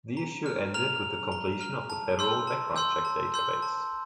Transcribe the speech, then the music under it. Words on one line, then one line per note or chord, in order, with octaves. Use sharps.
The issue ended with the completion of the federal background check database.
A#5
F6
A#5 F6 F7
F6
A#5
F6
A5
C6 E6 G6
A5
C6 E6 G6
A5
C6 E6 G6
A5